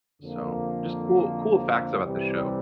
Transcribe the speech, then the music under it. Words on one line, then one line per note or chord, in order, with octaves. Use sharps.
So, just cool cool facts about the show.
F2 D3 F3 A#3
C2 C3 E3 G3